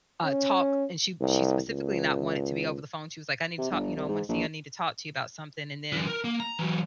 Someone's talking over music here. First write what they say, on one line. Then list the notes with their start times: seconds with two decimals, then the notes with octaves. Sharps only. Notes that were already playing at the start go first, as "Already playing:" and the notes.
uh, talk and she she specifically not want it to be over the phone. She was like, "I need to talk," you know, "I want to see I need to talk to you about something," and then
0.24 C#4
1.21 C2
1.69 C#2
3.58 C3
3.71 G1
3.96 C2
4.09 G#2
4.29 A#1
5.93 F#2 E3
6.07 A#4
6.24 A#3
6.40 A#5
6.59 E3 F#3